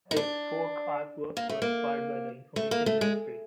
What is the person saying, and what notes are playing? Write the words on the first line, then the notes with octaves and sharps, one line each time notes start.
His folk artworks were acquired by the Information Ministry.
D#4
D4
A#3
A3
A#3
A3
A#3
A3
G#3